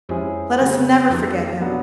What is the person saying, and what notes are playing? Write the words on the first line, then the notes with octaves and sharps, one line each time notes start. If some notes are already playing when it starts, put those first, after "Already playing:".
Let us never forget him.
F2 G#3 C#4 E4 G#4 C5
C#3 F#3 A3
F2 A#3 D#4 F#4 A4
B2 F#3 B3 D4